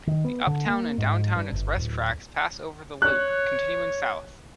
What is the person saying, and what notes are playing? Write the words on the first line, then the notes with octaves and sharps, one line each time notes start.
The uptown and downtown express tracks pass over the loop, continuing south.
D#3
B3
D3
A#3
G#2
G2
G1
D1
C#5 F#6